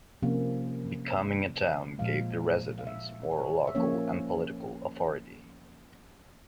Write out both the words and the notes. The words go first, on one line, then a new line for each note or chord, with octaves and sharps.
Becoming a town gave the residents more local and political authority.
C3 F3 A#3 C#4
A#2 F3 G#3 F5
F5
E5
C#5
E5
F3 A#3 C#4 C#5